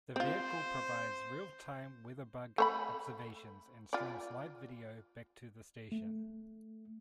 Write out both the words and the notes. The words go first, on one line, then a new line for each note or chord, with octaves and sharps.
The vehicle provides real-time WeatherBug observations and streams live video back to the station.
C4 F4 C5
A3 C#5 B5
F4 D5
A3